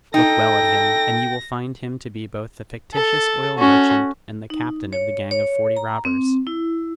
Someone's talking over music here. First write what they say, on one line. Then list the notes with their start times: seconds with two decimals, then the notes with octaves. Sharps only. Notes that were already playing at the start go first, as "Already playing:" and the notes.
Look well at him, and you will find him to be both the fictitious oil merchant, and the captain of the gang of forty robbers.
0.14 D#4 A4 G5 A#6
2.94 A4
3.58 C#4 F#4
4.50 D#4
4.93 C#5
5.31 C#5
5.76 A#5
6.05 C4
6.47 E4